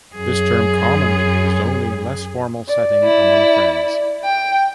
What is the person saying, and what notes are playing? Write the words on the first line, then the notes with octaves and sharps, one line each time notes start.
This term commonly used only in less formal setting among friends.
F#2 G#4
D5
E4
G5